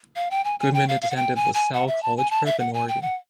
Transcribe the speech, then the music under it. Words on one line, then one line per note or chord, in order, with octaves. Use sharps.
Goodman attended La Salle College Prep in Oregon.
F5
G5
G#5
G#5
G5
F5
F5
F#5
G5
G#5
G#5
F#5
E5
A5
G#5
A5
E5
F#5
G#5
G5
F#5